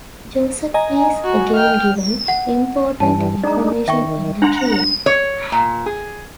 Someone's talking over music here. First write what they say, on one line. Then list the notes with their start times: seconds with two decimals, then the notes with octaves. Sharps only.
Joseph is again given important information in a dream.
0.74 D#5 G#5 A#5
1.24 F#4
1.55 G5 F6
2.28 F#5
3.00 G2 E3 G3 G#5 A5
3.44 G#3 D4 D#4 D5 A#5
3.88 D#3 E5 G5 C#6
4.42 D4 F#5 A#5 C6
5.06 C#5
5.52 A#2
5.86 G#4